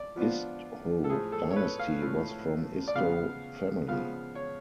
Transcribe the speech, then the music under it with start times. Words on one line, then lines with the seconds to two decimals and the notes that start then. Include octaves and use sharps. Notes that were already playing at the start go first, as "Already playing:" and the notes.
Isdhoo Dynasty was from Isdhoo Family.
Already playing: D5
0.16 F3 B3 D4 F4
1.04 A4
1.10 A2 F3 A3 G#4
1.32 A4
1.51 C#5
1.56 B4
1.79 F5
2.02 A2 F3 A3
2.88 D5
2.95 C#3 F3 B3 F5
3.88 C#3 F3 B3 F5
4.35 C#5